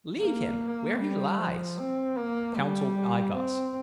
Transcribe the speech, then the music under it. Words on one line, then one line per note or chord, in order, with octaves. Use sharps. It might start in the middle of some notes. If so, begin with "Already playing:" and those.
"Leave him where he lies," counseled I-Gos.
A#3
G3
F3
C4
A#3
G3
C4